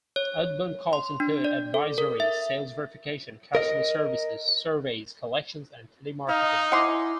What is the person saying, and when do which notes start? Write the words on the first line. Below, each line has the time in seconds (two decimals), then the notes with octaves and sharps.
Outbound calls include advisories, sales verification, customer services, surveys, collections and telemarketing.
0.16 C#5
0.93 C6
1.20 D4
1.44 D5
1.74 A4
1.98 A#4
2.20 E5
3.55 A#4 D#5
6.29 D#4 F5
6.72 E4 F#5 G#5 C6 D6